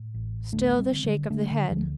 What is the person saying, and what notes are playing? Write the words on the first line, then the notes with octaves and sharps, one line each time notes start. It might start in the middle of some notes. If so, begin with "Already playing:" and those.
Still the shake of the head.
Already playing: A2
A1
D2 A3 D4
G3 C4
D3
D3 G3
D3 A3 D4
D3
D2 F3